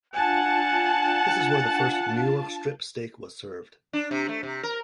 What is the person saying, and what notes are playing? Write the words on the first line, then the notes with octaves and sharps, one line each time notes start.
This is where the first "New York Strip" steak was served.
D4 F4 F5 F#5 G#5 A5
D4
C3
A3
C3
A#4